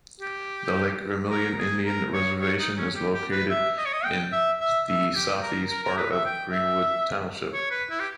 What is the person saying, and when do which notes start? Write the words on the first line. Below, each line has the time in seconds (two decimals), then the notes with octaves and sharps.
The Lake Vermilion Indian Reservation is located in the southeast part of Greenwood Township.
0.20 G4
1.30 A#4
1.58 G#4
1.85 A#4
2.13 C#5
2.40 C#5
2.58 D#4
2.77 C#4
2.95 G4
3.13 G4
3.32 B4
3.50 E5
3.78 D#5
3.85 C#5
3.93 D#5
4.05 G5
4.32 E5
4.60 E5
4.87 E5
5.15 G4
5.42 A#4
5.70 A#4
5.84 A#4
5.97 B4
6.11 E5
6.25 G5
6.52 E5
7.53 C#5
7.71 B4
7.90 E4
8.00 G4